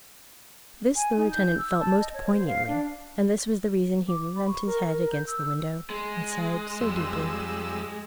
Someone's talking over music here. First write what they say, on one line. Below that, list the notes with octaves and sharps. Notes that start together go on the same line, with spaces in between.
This the lieutenant felt most poignantly, and this was the reason he leant his head against the window, and sighed so deeply.
G#5
D#4
G6
E6
A5
D#5
C#5
C5
F5
D4
D6
B5
C#6
A#4
A#4
G6
E6
G#3
F2 G3 E6